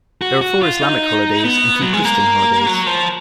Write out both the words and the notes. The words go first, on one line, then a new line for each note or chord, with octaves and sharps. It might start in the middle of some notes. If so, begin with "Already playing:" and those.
There are four Islamic holidays and two Christian holidays.
F#4
F#4
F4
D#4
B3
F#3
G#3
A#3
F#3
F3